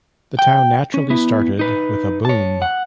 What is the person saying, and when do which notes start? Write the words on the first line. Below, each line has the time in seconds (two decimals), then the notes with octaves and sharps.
The town naturally started with a boom.
0.39 G5
0.94 C#4
1.10 B3 E4
1.59 D#4 B4
2.25 C#5 A5
2.62 F#5